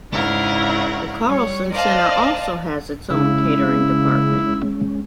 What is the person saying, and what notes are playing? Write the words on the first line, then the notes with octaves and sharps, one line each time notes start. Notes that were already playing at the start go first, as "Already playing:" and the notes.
The Carlson Center also has its own catering department.
G#2 C#3 D4 E4 A#4 F#5
G3 C#5
A#4 C5 D5 D#5 F5 A5
C#3 G#3 C#4 E4